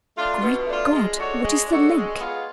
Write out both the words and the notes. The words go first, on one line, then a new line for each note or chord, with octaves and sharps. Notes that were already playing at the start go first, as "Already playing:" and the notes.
Great God! what is the link?
A3 D4 F4
B2
A3 D4 F4
G#3
D4 F#4 A4 C#5
G#3
D4 F#4 A4 C#5
G#3
B3 F4 G#4